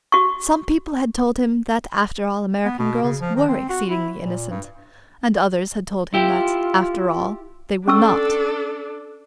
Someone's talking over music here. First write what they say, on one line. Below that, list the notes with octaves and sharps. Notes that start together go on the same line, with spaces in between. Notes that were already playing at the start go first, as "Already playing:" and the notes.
Some people had told him that, after all, American girls were exceedingly innocent; and others had told him that, after all, they were not.
F#4 C#6
B3
B2
C#3
F3
D#3
C4
F#4
E4
A#2
G2
E4 F4 G4
C#4 D4 A4 C#6 E6